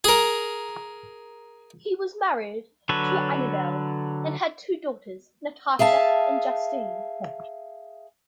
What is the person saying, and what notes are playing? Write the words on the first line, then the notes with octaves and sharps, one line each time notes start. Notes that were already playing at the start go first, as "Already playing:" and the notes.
He was married to Annabel, and had two daughters, Natasha and Justine.
G#4 A#4
D3 F#3 A4 B4 C#5
G#4 E5 F5 A5